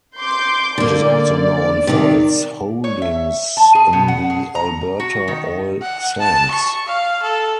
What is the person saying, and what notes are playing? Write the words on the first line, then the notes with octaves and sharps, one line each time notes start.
It is also known for its holdings in the Alberta Oil Sands.
C6 D6 G6
D3 A#3 D5
C3 D#3
C#5
E5
A5
G#4
B2
F#5
G#4
A#5
F#4
D#3
F#5
A5
C#6
F5
A4